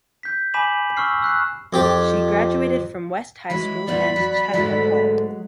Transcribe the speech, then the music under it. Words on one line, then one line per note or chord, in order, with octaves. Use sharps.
She graduated from West High School and Chatham Hall.
G6 B6
G#5 B5 D6 B6 E7 F#7
C#6 E6 F6 C7
E6 F#6 C7
F2 G4
E3 F#3 G#3 B5
A#2 G3 B3 D5
F#3
G#2 D3 F#3 G#3 A3